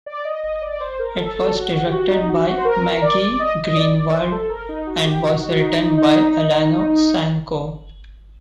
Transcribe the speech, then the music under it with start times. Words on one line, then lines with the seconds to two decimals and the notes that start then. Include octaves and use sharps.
It was directed by Maggie Greenwald and was written by Alana Sanko.
0.06 D5
0.25 D#5
0.44 D#5
0.62 D5
0.80 C5
0.99 A#4
1.17 A4
1.55 F#4
1.87 G4
1.92 F#4
2.10 D#4
2.29 F#4
2.47 F#4
2.58 C5
2.65 A#4
3.02 D5
3.39 D#5
3.63 D#5
3.76 D5
4.14 C5
4.31 A4
4.49 A#4
4.69 D#4
4.87 F#4
5.05 G4
5.23 F#4
5.37 D#4
5.43 F#4
5.60 D#4
5.97 D#4